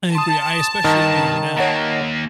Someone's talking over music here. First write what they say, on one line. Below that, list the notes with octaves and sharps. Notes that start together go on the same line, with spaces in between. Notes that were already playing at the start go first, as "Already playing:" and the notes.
I agree. I especially agree now.
A5 C6 D#6
G2 D#3 A#5
D#2 A#3 C#5 F#5 A#5